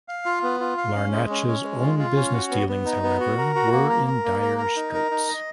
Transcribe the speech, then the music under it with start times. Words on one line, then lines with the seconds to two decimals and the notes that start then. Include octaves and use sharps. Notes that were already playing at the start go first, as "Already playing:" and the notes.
Larnach's own business dealings, however, were in dire straits.
0.08 F5
0.25 F4
0.43 B3
0.61 F4
0.78 F5
0.95 C#4
1.13 G#3
1.30 C#4
1.47 C#4
1.64 G#3
1.81 F4
1.99 F4
2.16 C#4
2.33 F#4
2.51 B3
2.68 B3
2.86 D#4
3.03 B3
3.20 F#4
3.38 A#4
3.55 F#4
3.72 A#3
3.90 A#4
4.07 A#4
4.25 A#3
4.42 A#4
4.58 A#4
4.76 D#4
4.94 A#4
5.11 D#4
5.28 D#5